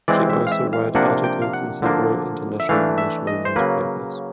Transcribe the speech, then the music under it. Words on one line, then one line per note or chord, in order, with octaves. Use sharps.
She also write articles in several international and national newspapers.
E3 G#3 C4 D5
E5
F5
E5
F5
C3 F3 A#3 D4 F#5
G5
F5
F#5
D3 F3 A#3 D4
E5
E3 A3 D4 F5
E5
D#5
C5
C#3 F#3 A#3 B4